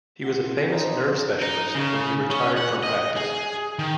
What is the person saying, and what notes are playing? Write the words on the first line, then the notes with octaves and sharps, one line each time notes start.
He was a famous nerve specialist when he retired from practice.
C4 E4 F#5
F3 D#4 A#4 C5 D5
D#4
C#3
C#4
F#5
D#5
G#4
D#3